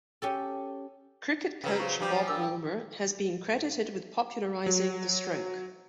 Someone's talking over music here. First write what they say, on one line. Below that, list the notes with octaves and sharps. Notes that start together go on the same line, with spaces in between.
Cricket coach Bob Woolmer has been credited with popularising the stroke.
C#4 G4 A4
C#3 F#3 B4 G5
C5 C#6
F3 G3 G4
D5 F#5 G#5
D4 A#4 D6 E6
G5
F#3